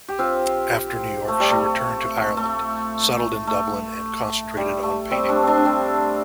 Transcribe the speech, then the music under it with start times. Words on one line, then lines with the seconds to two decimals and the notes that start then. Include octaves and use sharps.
After New York, she returned to Ireland, settled in Dublin and concentrated on painting.
0.09 G4
0.19 C4 F4
1.28 A3
1.40 G3
1.51 A3
2.37 A3
3.47 A3
4.57 G3
4.83 A3
5.11 G3 C4
5.29 A3 D4
5.43 A3 C4 D4
5.58 D4
5.65 G3 C4